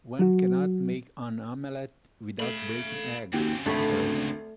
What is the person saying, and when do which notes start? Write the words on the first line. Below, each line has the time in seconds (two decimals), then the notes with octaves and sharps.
One cannot make an omelette without breaking eggs, sir.
0.19 F#3 F#4
2.40 A3 F5 B5
3.33 D#2 C#3 C4 F#4 G4
3.66 G#1 D2 A3 B5